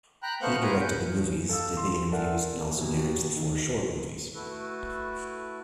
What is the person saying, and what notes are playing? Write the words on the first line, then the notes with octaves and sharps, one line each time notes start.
He directed the movies, did the interviews and also narrates the four short movies.
G5 A#5 B5 F#6
A3 B3 C5 F5 F#5 F#6
A#4 B4 F#5 G#5 A#5
G6
A4 F5 A5 E6
C6
A4 A#4 D5 E5 F#5 G#5
D#2 B2
D#3
A3 E4 F#4 A4 B4